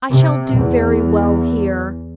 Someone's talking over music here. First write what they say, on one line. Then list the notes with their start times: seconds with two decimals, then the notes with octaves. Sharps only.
I shall do very well here.
0.11 C3
0.57 E2